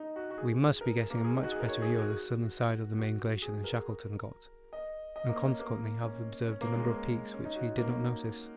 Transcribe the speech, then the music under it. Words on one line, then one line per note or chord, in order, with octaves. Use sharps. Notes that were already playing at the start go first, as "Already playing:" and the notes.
We must be getting a much better view of the southern side of the main glacier than Shackleton got, and consequently have observed a number of peaks which he did not notice.
Already playing: D#4
F#4
F#4
G#4
A#4
A#3
G#4
D#4
F#4
G#4
A#4
C#5
G#4
F#4
F#4
G#4
A#4
D#5
D#5
A#3
C#4
A#3
C#4
C#4
A#3
G#3
A#3
C#4
D#4
F#4
A#3